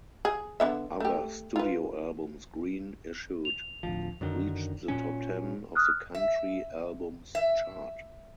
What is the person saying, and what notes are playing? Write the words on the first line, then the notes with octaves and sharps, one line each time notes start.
Other studio albums Greene issued reached the top ten of the country albums chart.
G#4
D3 B3 E5
A3 G4
F4 B4
F7
D1 A#1 F3
F#2 D3 D#3
A#2 F#3 C#4
D#6 F6 F#6
E5
E5